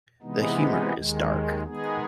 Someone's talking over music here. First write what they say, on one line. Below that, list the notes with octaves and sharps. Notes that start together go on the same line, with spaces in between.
The humor is dark.
C3 E3 G#3 B3 D#4
D#2 D#3 G#3
D#3 G#3 B3 D#4 G#4